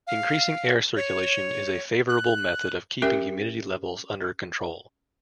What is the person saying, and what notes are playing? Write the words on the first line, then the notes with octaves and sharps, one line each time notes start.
Increasing air circulation is a favourable method of keeping humidity levels under control.
F5
C#5
F#6
C#4 G4 A#4 E5